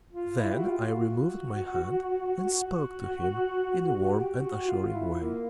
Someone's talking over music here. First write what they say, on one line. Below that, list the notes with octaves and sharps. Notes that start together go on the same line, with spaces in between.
Then I removed my hand and spoke to him in a warm and assuring way.
F4
E4
G4
F#4
F4
F#4
F#4
G4
F#4
F4
E4
A#3